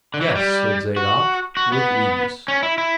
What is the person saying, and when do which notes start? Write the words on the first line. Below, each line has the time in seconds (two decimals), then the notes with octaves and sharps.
"Yes," said Zadok, "with ease."
0.14 D3
0.21 E3
0.28 F#3
0.35 G3
0.96 F#4
1.57 F#4
1.72 B3
2.48 C#4
2.63 E4
2.78 E4